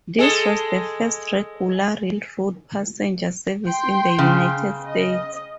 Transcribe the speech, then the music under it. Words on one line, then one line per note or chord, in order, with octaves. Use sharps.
This was the first regular railroad passenger service in the United States.
G#3 G#4 A4
G5 C6
C#3
D#5